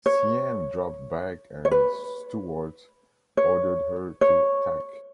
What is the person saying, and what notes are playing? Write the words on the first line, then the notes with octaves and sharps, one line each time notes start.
"Cyane" dropped back and Stewart ordered her to tack.
C#5
C#5
B4
C#5
C#5